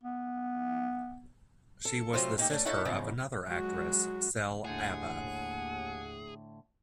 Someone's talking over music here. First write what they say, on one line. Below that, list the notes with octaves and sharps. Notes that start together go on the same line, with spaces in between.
She was the sister of another actress, Cele Abba.
B3
A4
C3 F#3 A3 F4 C5
A3 A#3 D#4 F#4 G4
A3 C#4 D4
D#4 E4 A4 C#5 E5 F#5
E2 G#2 C#3 F3
F#3 G#3 F#4
D#2 A2 D3 G#4 F#5